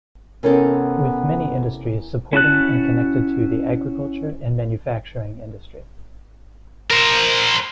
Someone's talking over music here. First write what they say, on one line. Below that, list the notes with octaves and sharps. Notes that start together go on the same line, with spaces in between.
With many industries supporting and connected to the agriculture and manufacturing industry.
E2 C3 E3 B3 C#4 A4 A#4
C#4 E4 F#4 A5 F#6
A#4 C5